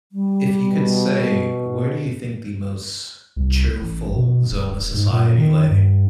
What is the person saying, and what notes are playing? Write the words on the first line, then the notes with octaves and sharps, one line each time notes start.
If you could say, where do you think the most truthful zone of society lay?
G3
B2
C2
A1
B2
D1
G#2
A#2
D#3
G2